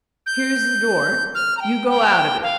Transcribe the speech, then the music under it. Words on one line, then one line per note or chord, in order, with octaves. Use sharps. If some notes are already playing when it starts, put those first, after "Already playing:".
Here's the door, you go out of it.
G6
F6
A#5
G5
G5
F5